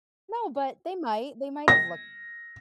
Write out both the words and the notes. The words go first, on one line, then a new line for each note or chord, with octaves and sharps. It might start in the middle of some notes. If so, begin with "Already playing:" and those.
No, but they might they might’ve look
A#6